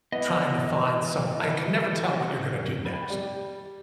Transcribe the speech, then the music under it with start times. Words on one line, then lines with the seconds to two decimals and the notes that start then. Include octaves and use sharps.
trying to find some I can never tell what you're gonna do next.
0.12 E3 B3 D#5
2.85 B5
3.10 G3